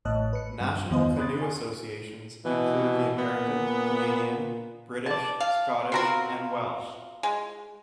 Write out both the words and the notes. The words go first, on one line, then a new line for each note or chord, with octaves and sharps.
National canoe associations include the American, Canadian, British, Scottish, and Welsh.
A1 A2 C#5 D#5 A5 F#6
B4 C#7
G2
E2 D#3 B3 C5 D#5
B5 C6 D#6 F#6 G#6 A6
G#5
B2 E3
A#2 B3
D5 A5
F5
B3 C4 F4 F#4 A#4 A#5
G#3